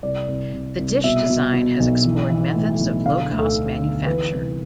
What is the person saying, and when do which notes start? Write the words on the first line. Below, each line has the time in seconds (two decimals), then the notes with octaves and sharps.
The dish design has explored methods of low-cost manufacture.
0.03 C2 D5
0.28 C2
0.53 C2
0.79 C2
1.04 B2 E5
1.30 B2
1.54 B2
1.80 B1
2.05 E3
2.30 E3
2.55 A2
2.80 B1
3.06 D3 F5
3.31 D2
3.39 A4
3.56 D3
3.81 D3
4.06 E3 B4
4.32 C2